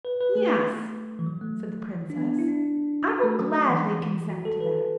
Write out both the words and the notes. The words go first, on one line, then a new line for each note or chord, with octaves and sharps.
"Yes," said the Princess, "I will gladly consent to that."
B4
B4
A3
E3
F#3
A3
D4
B3
E4
D4
F#4
A3
F#3
E3
E3
F#4
A4
B4